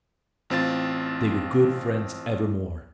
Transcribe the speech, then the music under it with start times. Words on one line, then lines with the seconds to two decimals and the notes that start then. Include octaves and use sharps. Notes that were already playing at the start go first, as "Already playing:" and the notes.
They were good friends evermore.
0.50 A1 C4 F4 A6